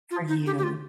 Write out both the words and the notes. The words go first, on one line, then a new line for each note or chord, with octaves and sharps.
for you.
F4
D#4
G4
G4
F4